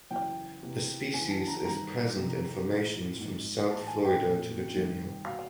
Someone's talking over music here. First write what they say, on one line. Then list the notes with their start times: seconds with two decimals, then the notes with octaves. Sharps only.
The species is present in formations from south Florida to Virginia.
0.11 F#2 C#3 E3 G5
0.62 E2 C3 E3
1.13 E2 C#3 E3 G#5
1.30 A5
1.47 A#5
1.65 G2 D#3 A#5
2.16 F2 C3 F3
2.68 A2 E3
3.19 G#2 F3
3.70 A2 E3 A5
3.87 G#5
4.05 G5
4.22 A#2 F3
4.74 G2 D#3
5.25 B2 F5